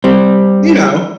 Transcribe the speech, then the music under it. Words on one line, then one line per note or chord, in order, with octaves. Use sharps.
you know,
G3 C4